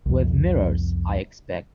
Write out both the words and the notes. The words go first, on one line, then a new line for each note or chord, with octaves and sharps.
With mirrors, I expect.
C2 F2